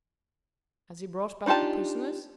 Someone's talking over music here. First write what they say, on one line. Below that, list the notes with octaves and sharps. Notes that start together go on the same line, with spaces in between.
"Has he brought back the prisoners?"
D4 D#4 F4 G4 A5